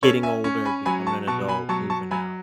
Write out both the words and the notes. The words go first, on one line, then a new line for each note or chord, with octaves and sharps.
getting older, becoming an adult, moving out,
C#4 A4 C#5
E5 G#5
C#4
G#5 B5
F#3 G#5 B5
A5 C#6
B2 A5 C#6
G#5 B5
F#3 A5 C#6
A5 C#6
F#3 G#5 B5